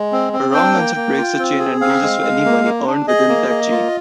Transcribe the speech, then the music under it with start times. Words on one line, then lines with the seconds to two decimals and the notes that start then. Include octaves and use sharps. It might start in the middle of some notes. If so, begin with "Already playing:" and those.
A wrong answer breaks the chain and loses any money earned within that chain.
Already playing: G#3
0.12 C4
0.33 C4
0.54 D4 G5
0.75 A#3
0.96 A#3
1.18 F4
1.39 C4
1.59 G#4
1.81 C4 F5
2.02 G#3
2.22 G#3
2.44 A#3
2.65 A#3
2.86 D4
3.07 G#4 D#5
3.29 A#3
3.50 A#3
3.71 F4